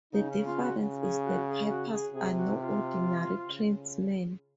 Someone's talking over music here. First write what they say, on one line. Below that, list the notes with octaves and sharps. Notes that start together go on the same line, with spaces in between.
The difference is the pipers are no ordinary tradesmen.
C#3 D#4
C#4
F4
F#4
C#3
G#4
F#4
G#4
F#4
G#4
C3 G#4
F#4
F4
C#3